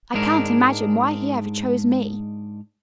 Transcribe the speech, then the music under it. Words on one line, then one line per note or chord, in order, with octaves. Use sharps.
I can't imagine why he ever chose me.
G#2 G#3 D4 A#4